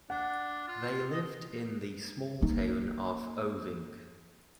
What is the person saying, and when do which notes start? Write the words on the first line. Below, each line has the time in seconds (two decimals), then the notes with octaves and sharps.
They lived in the small town of Oving.
0.10 D4 F#5
0.68 F4
1.12 D#5
2.41 A#3 D#4